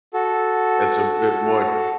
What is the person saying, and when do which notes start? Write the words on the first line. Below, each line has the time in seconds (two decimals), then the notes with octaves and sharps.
that's a bit much,
0.14 F#4 A4